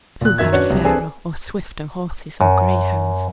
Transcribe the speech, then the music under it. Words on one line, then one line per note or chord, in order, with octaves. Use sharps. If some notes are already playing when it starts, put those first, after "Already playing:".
Who had fairer or swifter horses or greyhounds?
A#2 F#6
F#2 D#3 E5 G#6
C#4 D4 F#4 B4 C#5
C2
C4 D4 G#4 A4 B4
F#2